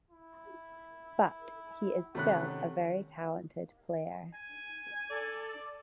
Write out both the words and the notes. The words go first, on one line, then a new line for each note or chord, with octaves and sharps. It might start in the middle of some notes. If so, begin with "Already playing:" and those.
But he is still a very talented player.
E4
C3 D#3 A3 C#4 F#5 B5 F#6
G#5
A4 D5